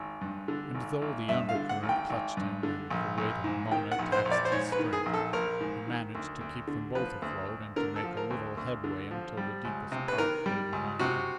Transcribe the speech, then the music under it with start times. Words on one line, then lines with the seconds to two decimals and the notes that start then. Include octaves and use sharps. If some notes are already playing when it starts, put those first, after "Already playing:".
And though the under-current clutched him and the weight of Mona taxed his strength, he managed to keep them both afloat and to make a little headway until the deepest part lay behind them.
Already playing: G#1
0.21 G2
0.48 D3
0.75 G#1
1.02 G#1
1.29 G2 E5
1.49 F5
1.55 D3
1.69 F#5
1.83 G#1
1.89 G5
2.10 G#1
2.37 G2
2.63 D3
2.90 A#1
3.18 A#1
3.44 G#2
3.72 D#3 G5
3.92 F#5
3.99 A#1
4.12 C5
4.25 A#1
4.31 D5
4.45 C5
4.52 G#2 C#5
4.72 B4
4.79 D#3
4.93 G#4
5.06 A#1
5.14 A4
5.33 A#1 A#4
5.60 G#2
5.87 D#3
6.15 D2
6.41 D2
6.67 D3
6.95 F3 B4
7.22 D2
7.48 D2
7.76 D3 A#4
7.96 A4
8.03 F3
8.17 A#4
8.30 D2
8.57 D2
8.84 D3
9.11 F3
9.37 G3
9.65 C#2
9.92 C3
10.08 B4
10.18 D#3 A#4
10.46 G3
10.73 C#2
10.99 C3 F#4